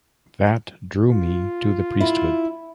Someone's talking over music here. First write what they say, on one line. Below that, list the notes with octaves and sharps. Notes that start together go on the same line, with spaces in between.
That drew me to the priest-hood.
F4
E4